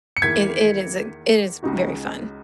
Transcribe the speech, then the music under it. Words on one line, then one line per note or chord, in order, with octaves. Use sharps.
i it it is it is very fun.
C#7
E2 D#3 A#3 E4 G#6 B6
C#2 C#3 G#3 D#4 F#4